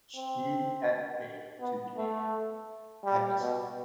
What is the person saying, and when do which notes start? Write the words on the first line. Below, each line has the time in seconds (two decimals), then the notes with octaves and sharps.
She had paid to be named abbess.
0.16 C4
1.61 B3
1.97 A3
3.05 G3
3.41 B2